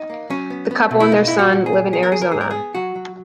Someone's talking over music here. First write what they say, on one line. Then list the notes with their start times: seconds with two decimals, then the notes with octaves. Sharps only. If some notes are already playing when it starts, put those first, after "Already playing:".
The couple and their son live in Arizona.
Already playing: D#4
0.10 A#3
0.30 F#3 C#4
0.50 B3
0.71 B3
0.91 B2
1.00 E4
1.11 A#3 D#4
1.28 A#2 E4
1.39 F#4
1.53 A#2
1.66 G#4
1.73 A#2
1.93 B3 G#4
2.03 A#4
2.12 F#3 G#4
2.22 A#4
2.32 G#2 G#4
2.41 A#4
2.51 B3 G#4
2.75 F#3 F#4
2.96 F#3